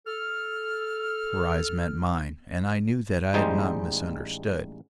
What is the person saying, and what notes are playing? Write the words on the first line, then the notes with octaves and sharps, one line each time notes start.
Her eyes met mine and I knew that I had not misunderstood.
A4 F6
A1 G3 G#3 D#4 C5